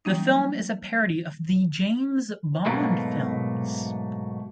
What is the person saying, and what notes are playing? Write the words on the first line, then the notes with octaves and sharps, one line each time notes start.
The film is a parody of the James Bond films.
E3 F#3 G3 A#3 C#4 D#4
G#2 B2 F#3 A3 A#3